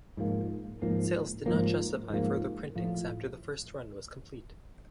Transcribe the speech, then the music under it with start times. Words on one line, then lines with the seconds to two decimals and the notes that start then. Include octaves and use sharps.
Sales did not justify further printings after the first run was complete.
0.17 G#2 F3 A#3
0.82 G#2 F3 A#3
1.46 G#2 F3 A#3
2.10 G#2 F3 A#3
2.75 A2 F3 A3